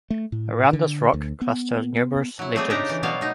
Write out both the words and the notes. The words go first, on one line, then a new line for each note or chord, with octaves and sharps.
Around this rock cluster numerous legends.
A3
A2
D3
D2
B3
F#3 E4
G3 A3 A#3 C4 G#4 A4
C#3 D4 D#4 G4 A4 A#5
E3
B2 F#3 G3 B3 C#5 F5
A3 D#4